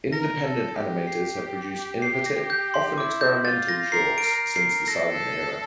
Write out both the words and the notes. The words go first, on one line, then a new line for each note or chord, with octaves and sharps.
Independent animators have produced innovative, often experimental, shorts since the silent era.
A#4 A#6
A4
G4
C7
C7
A#6
G6
C6
E4 D6
G6
F4 A6
A#6
A#4 C7
D7
A#4 C7
A#4 C7
A4 A#6